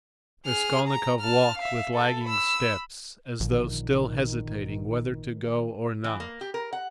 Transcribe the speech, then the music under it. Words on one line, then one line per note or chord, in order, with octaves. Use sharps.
Raskolnikov walked with lagging steps, as though still hesitating whether to go or not.
G#4 F6
A#5
A5 F6
E5 F5
A4
B5 E6
A1 A#2 D3 D#3 F3
E3
A#3
G4
A#4
F#5